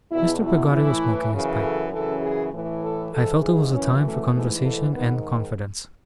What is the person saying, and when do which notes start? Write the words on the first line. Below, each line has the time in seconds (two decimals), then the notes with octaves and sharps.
Mr. Peggotty was smoking his pipe. I felt it was a time for conversation and confidence.
0.12 E2 B2 E4
0.42 E4
0.72 A2 E3 E4
1.32 F#2 C#3 E3
1.62 A4
1.92 F#2 C#3 E3 A4
2.22 G#4
2.53 A2 E3
2.83 A4
3.13 G#2 E3 A4
3.43 G#4
3.73 F#2 E3 C#4
4.03 A3
4.33 G#2 E3 A3
4.63 A3
4.93 G#2 D#3 B3